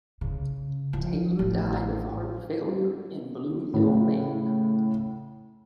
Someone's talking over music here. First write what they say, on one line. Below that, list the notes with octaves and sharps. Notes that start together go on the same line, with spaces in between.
Taylor died of heart failure in Blue Hill, Maine.
C#3
F3
A1
A2 C#3